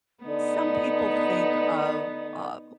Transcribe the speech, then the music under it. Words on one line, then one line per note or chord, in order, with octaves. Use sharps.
some people think of, uh,
D3 B3 D#4